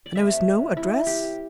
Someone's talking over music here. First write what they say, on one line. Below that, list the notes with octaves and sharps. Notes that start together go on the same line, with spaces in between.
And there was no address?
D5
C3 A3 E5
E4
G4